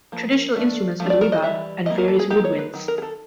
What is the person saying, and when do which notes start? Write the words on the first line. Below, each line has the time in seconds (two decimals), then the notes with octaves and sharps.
Traditional instruments are the rebab and various woodwinds.
0.12 F3 A#3
0.56 F3 A3 D4
1.00 F3 A3 D4
1.10 D5
1.21 A#4
1.32 D#5
1.42 E3 G3 E5
1.86 E3 G3 A#3 D#5
1.98 A#4
2.08 A4
2.19 G#4
2.30 D#3 F#3 A#3 D#4 G4
2.44 C#5
2.59 B4
2.74 D#3 F#3
2.88 A#4
2.98 G#4
3.02 A4